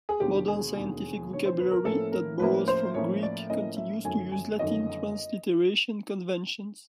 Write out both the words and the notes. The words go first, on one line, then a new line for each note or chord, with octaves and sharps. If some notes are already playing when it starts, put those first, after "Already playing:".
Modern scientific vocabulary that borrows from Greek continues to use Latin transliteration conventions.
G#4
E1 D#2 D3 G4
G#4
E1 D#2 D3
E1 D#2 D3 C#5
C5
B4
A#4
A2 F3 A#3 C#4 E4 A4
A#4
A2 F3 A#3 C#4 E4 B4
C5
A2 F3 A#3 C#4 E4 C#5
D5
A2 F3 A#3 C#4 E4 D#5
E5
G1 F#2 D#3 F#3 A3 G#5
G#5
G1 F#2 D#3 F#3 A3 D#5